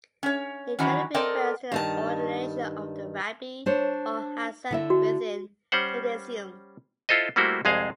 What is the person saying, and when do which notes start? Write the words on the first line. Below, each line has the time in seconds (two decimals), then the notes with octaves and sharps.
It generally refers to the ordination of a rabbi or hazzan within Judaism.
0.23 C#4 C#5
0.79 D#3 E3 F#3 C#4
1.14 C4 A4 A#4 D5 D#5 G5
1.72 G2 D#3 A5
3.66 D4 C5 C#5
4.71 D3 E4 E5
4.90 F#4
5.72 G3 C#4 C5 F#5
7.09 E4 F4 A4 C5 D#5
7.36 G3 A3 A#3 E4 F#4 C5
7.65 C2 F2 G#3 G#4 C5 F5